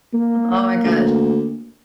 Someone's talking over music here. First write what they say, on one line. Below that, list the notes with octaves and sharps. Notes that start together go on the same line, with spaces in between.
oh my gosh.
A#3
D2